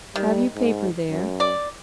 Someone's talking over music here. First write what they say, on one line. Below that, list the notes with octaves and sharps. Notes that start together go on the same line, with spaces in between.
Have you paper there?
D#3 G3
G#2
F#2
D5